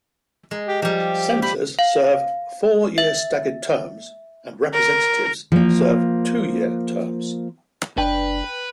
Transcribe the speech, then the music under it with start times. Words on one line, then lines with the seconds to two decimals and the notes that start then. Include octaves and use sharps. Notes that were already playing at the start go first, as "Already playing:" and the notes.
Senators serve four-year staggered terms and representatives serve two-year terms.
0.51 G#3
0.67 G4
0.82 F3 G3 G4
1.42 G4 B5
1.79 F5
2.98 E5
4.73 A#4
5.52 F3 A#3
7.98 F#1 D4 B4 G5